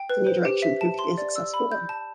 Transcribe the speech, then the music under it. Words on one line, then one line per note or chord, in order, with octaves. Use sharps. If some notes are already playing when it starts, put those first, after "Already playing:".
The new direction proved to be a successful one.
Already playing: G5
B4
C5
G4
E5
A5
C6
D5
E6
B5
G6
A5